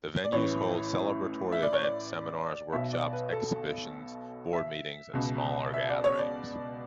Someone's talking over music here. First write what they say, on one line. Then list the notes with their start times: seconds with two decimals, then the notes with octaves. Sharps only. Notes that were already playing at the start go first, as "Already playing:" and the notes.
The venues hold celebratory events, seminars, workshops, exhibitions, board meetings and smaller gatherings.
0.24 D5
0.32 A1 A2 E3 C#5
1.52 E5
1.62 D5
1.73 C#5
1.83 D5
2.73 B1 B2 E5
2.93 D5
3.13 B4
3.33 A4
4.53 E5
5.13 C#2 B2
5.74 E5
5.89 D5
6.04 C#5
6.19 D5